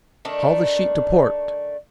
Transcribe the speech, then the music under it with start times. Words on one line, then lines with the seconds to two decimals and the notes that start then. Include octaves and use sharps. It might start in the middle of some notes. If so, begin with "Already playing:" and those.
"Haul the sheet to port!"
0.25 D#3 A3 D4